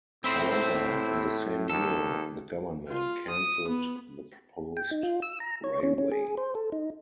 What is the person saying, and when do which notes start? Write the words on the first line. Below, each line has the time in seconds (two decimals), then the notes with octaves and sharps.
However, in the same year the government cancelled the proposed railway.
0.24 A2 C4 E4 C5
1.70 D#2 A4
2.88 F4
3.29 D#6
3.68 B3
4.77 G5
4.91 D#4
5.03 F4
5.22 E6
5.40 A#5
5.64 C#5
5.83 C#4
5.98 C#4
6.12 G#4
6.37 C5
6.55 A4
6.72 D#4